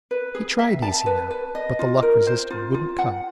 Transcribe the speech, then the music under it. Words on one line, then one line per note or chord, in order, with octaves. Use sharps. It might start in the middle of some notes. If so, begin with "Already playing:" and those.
He tried easy now; but the luck resisted; wouldn't come.
B4
G#4
E5
A5
B4
B4
D#5
F4
A#4
C5
F4
F4
F#5